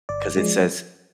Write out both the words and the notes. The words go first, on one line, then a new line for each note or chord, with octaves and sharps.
'cause it says,
G1 D5
F3 G#3